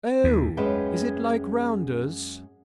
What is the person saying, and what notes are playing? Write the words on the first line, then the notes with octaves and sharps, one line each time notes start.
"Oh, is it like rounders?"
D#2
F#2 G#3 C#4 B4 E5 G5